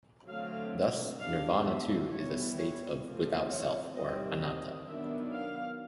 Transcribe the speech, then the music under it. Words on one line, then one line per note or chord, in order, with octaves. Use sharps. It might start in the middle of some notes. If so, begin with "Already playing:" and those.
Thus, "nirvana" too is a state of "without Self" or anatta.
D3 F#3 A3 C4 F5
G3 B3 D4 F5
E5
E3 G3 B3 C#5
C#5
F3 A3 C4
C#5
D#3 G3 C4 D#5
D#5
D#3 F#3 B3 D4 E5
F5